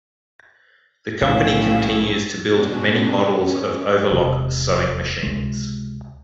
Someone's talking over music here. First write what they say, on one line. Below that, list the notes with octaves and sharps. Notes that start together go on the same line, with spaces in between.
The company continues to build many models of overlock sewing machines.
B1 A2 F3 C#4 E4 F5
B2 C#4 D4 F#4
C#4
E1 C3
C#2 C3 G#3